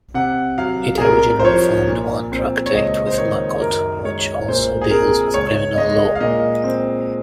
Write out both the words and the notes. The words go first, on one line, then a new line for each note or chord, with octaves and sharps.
It originally formed one tractate with Makkot, which also deals with criminal law.
C3 F#5
F#3 F5
G#4
C2 A#4
C5
F3 C#5
A#2
C4
C#5
C#2 D#5
C5
D#3 C#5
F#2 A#4
G#3 C#5
A#2 C5
G#4
C4 A#4
C#2 C#5
G#3 D#5
F5
A#2 D#5
C4